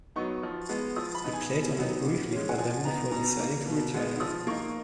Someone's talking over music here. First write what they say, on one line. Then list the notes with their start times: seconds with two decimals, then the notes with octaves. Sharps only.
He played only briefly for them before deciding to retire.
0.16 F#3 B3 D#4 C#6
0.43 F3
0.69 G#3 B3
0.96 F3 D#6
1.15 B5
1.24 B3 D#4
1.33 G#5
1.51 B2
1.77 F#3 B3 D#4
2.05 A#2
2.31 G#3 C#4
2.49 F#5
2.58 F3 G#5
2.85 B3 D#4 A#5
3.12 B2 A#5
3.39 A#3 D#4
3.66 B2
3.94 G#3 B3 D#4
4.20 F3 D#6
4.47 A#3 D#4 C#6